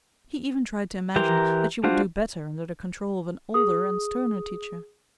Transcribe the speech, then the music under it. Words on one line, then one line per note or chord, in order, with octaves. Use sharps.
He even tried to imagine that she would do better under the control of an older and sterner teacher.
E3 G4 A#4 A#5 C6
G3 D4 F4 F#4 C5
G#4 D#6